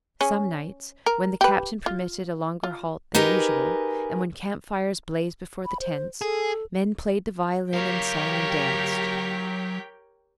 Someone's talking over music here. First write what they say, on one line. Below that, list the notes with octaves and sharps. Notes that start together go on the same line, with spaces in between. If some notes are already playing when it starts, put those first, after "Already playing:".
Some nights, when the captain permitted a longer halt than usual and when camp-fires blazed before the tents, men played the violin and sang and danced.
C#4 G#4
A#4
G4 B4
F4
F4
D#4 G4 G#4 A#4 B4
B5
C5
G#4 A4
F#3 G4 A#4 C#5 F5 G5 B6